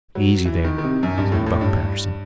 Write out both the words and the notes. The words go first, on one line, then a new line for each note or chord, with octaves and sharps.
"Easy there!" said Buck Patterson.
F#3
E3
D#3
D#3
C3
F#2
G2
A2
A2
G2